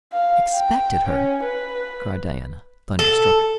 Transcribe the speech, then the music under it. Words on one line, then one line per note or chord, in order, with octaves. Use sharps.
"Expected her!" cried Diana, thunderstruck.
F5
G5
C#4
B4
A4